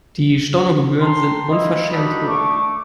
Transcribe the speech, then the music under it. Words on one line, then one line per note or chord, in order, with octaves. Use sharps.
Die Stornogebühren sind unverschämt hoch.
G5 A5 A#5 C6
E4 F4 D#5
G3 D4 D#4 F#4 B5
A3 D4 C#6 D6